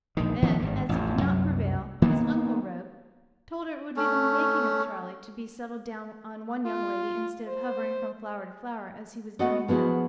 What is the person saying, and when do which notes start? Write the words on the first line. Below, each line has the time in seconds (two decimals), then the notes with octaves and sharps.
Then, as he could not prevail, his uncle wrote, told her it would be the making of Charley to be settled down on one young lady instead of hovering from flower to flower, as he was doing now.
0.17 A#1 D#3
0.42 D#3 F3 B3 C#4
0.59 G#1 G2
0.89 A1 F2
1.20 C2 F#2 F#3
2.02 D#3 A#3 B3
3.96 A3 C#4
6.66 F4
7.48 C5
9.39 A3 B3 F#4 D#5 F5 F#5
9.68 F3 B3 E4 F#4 G#4